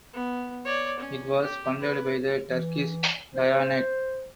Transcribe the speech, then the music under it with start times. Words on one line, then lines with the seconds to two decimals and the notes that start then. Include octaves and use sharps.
It was funded by the Turkish Diyanet.
0.14 B3
0.65 C#5 D5
0.99 C#4
1.41 G4
1.81 B4
2.47 E3
3.35 C5